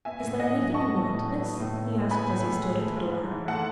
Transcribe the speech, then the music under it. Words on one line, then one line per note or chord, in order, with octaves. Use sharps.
"Is there anything you want, miss?" he asked as he stood at the door.
B3 E5 G#5
A2
A2 D#5 F#5
F#3
B3 A5 C#6
A2
A2
F#3
B3
A2
A2
G#3
B3 G#5 B5
A2
A2
G#3
A3
G#2
G#2
E3
A3 F#5 A5